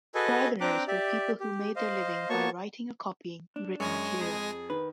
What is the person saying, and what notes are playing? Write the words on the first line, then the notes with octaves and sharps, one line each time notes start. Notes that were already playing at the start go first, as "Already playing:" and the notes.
Scriveners were people who made their living by writing or copying written material.
F#4 G#4 A4 B4 D#5 G#5
C4 D4 G5 A#5 D6 F#6
G4 D5 E5
G4
C5 D#5 F5
A#3 B3 F#4 C#5 A5 C#6
D4
F#2 G#3 C#5 G#5 A#6
F2 G#4
D#3 B4